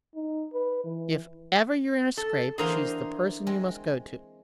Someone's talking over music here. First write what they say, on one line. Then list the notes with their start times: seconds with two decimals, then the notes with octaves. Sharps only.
"If ever you're in a scrape, she's the person you must go to."
0.15 D#4
0.53 B4
0.84 E3
2.17 A4
2.58 D3 E3 A#3 G#4 A#4 C5
3.47 G#3 C4